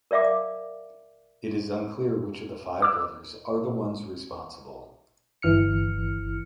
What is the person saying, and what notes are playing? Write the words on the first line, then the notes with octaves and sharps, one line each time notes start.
It is unclear which of the five brothers are the ones responsible.
A#4 D5 E5 F5 D6
D6 E6
G1 E3 F6 C#7